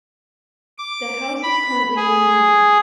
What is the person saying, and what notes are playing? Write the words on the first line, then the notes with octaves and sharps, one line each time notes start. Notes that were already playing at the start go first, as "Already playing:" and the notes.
The house is currently a museum.
D6
B5
G#4